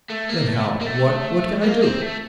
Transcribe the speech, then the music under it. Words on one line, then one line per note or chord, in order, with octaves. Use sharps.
"Then how--what--what can I do!"
A3
A#3
A3
A#3
A3
A#3
C4
A3